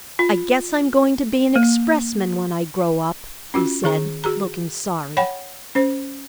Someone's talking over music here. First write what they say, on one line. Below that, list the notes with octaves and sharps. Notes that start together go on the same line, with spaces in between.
'I guess I'm going to be an expressman when I grow up,' he said, looking sorry.
F4
A#3
C#4 F4 F#4
D#3 G#4 A#5
F#4 G#4 A#5
C#5 F#5 G5 B5
C#4 C5